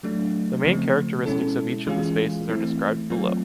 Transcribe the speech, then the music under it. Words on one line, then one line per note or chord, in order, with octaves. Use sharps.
The main characteristics of each of the spaces are described below.
F#3 A3 D4
C#3 F3 A3 C4
B2 G#3 C#4 E4 A4
E3 G#3 C#4 F4 G#4
E3 A3 C4 E4
F#3 A3 C4 F4